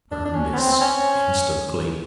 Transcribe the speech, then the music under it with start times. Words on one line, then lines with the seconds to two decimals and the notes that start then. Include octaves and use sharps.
Burn this instantly.'
0.12 D4
0.25 D4
0.35 C#4
0.54 B3
0.58 C4
0.72 C4
0.81 C#4